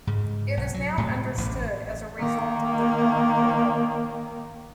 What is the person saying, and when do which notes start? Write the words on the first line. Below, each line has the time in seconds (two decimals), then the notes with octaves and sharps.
It is now understood as a result of the quark model.
0.07 G#2 C#3
0.57 B1
0.74 F#3
0.98 A2 C3 G#3
1.38 A1 A2
2.18 D#3 A#3